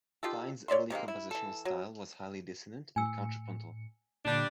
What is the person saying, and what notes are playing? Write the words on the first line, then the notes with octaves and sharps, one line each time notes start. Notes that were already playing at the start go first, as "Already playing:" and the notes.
Fine's early compositional style was highly dissonant and contrapuntal.
D#4 F4 G4 A4
C#5 D5 E5 C6
C3 D#3 G#3 A#3
E4
E3 A4
F#3
A2 G#5 E6 C#7
A#2 D3 G3 D4